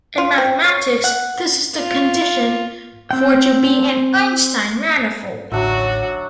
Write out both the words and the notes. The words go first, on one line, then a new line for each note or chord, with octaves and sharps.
In mathematics, this is the condition for to be an Einstein manifold.
F4
C4
C#5
F#5
F4
C4 G5
A1 D2 F#3 D4 F#4 E5